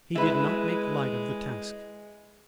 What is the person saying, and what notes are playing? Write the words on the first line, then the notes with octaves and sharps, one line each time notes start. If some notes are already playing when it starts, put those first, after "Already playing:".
He did not make light of the task.
G#3 E4 B4